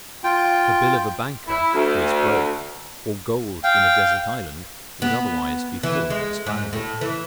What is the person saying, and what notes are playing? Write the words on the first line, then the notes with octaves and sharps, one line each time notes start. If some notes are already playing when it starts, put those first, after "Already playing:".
The bill of a banker, who is broke, or gold in a desert island, would otherwise be full as valuable.
F4 G5
E4
D2
F5 G5
B3
E3
G#3
G#2
A2
E3